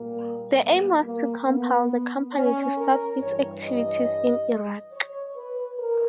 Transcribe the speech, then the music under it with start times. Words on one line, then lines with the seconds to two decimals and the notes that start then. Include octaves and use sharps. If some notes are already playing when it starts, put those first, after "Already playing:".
The aim was to compel the company to stop its activities in Iraq.
Already playing: A#2 G3 A#3
0.60 B3
1.04 A#3
1.47 B3
2.33 C#4
2.77 A#4
3.19 G2 E3 G3 C#5
3.62 D#5
4.92 C#5
5.36 B4
5.79 A#4